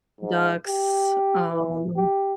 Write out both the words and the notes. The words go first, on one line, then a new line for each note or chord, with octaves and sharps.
ducks, um,
G#2
G4
E3
G4